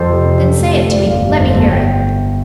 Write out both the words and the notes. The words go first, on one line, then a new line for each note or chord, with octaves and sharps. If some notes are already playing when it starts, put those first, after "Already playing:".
"Then say it to me--let me hear it."
Already playing: F2 F3 A4 C5
C3
C3
F3
D2
C4 A4
D2 D5
G1 F5
G3 F5
G1 C5
A4
G1 A5
G5